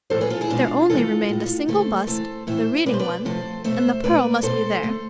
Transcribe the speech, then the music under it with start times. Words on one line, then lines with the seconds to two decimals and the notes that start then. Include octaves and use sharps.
There only remained a single bust--the Reading one--and the pearl must be there.
0.10 A2 F3 G#3 A4 C5
0.21 G#4 B4
0.30 F4 A4
0.41 E4 G#4
0.50 B2 G#3 D4 F4
0.90 C3 E3 G#3 F4 A4
1.29 A2 G#3
1.68 D3 A3 A4 C5
2.07 C3 E3 A3 A4 C5
2.47 A2 E3 A3 C5 E5
2.86 B2 G#3 B4 D5
2.94 C5
2.99 B4 D5
3.25 C3 F3 A3 A4 C5
3.64 B2 A3 C5 E5
4.04 B2 A3 B4 D5
4.43 B2 A3 A4 C5
4.83 D3 A3